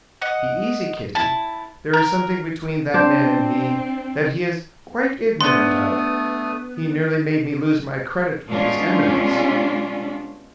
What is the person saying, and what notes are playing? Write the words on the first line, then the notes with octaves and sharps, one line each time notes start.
Be easy, Kitty, there is something between that man and me that he is quite ignorant of: he nearly made me lose my credit with his Eminence.
D#5 F#5
E4 A5
A#4
C4 D4 C5
A3 B3 D4 C6 D#6
B2 G3 G#3 C#4 D4 F4